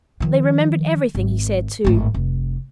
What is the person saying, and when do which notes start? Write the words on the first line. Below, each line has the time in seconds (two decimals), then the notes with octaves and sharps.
They remembered everything he said, too.
0.20 D#3 F3
1.15 G#1
1.84 G#1 A2
2.14 F1